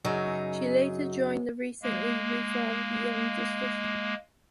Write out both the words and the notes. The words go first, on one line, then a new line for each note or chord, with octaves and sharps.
She later joined the recently reformed Young Justice.
F#2 C#3 F#3 D#4
G#3 A#3